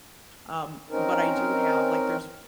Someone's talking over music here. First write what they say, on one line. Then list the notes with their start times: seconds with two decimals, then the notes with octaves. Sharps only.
um, but I do have like, there's o
0.90 C4 C#4 D#4 A#4